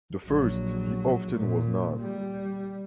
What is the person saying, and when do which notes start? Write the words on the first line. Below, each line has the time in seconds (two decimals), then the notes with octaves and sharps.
The first, he often was not.
0.26 A#1 F#3
1.33 A#2
2.00 G3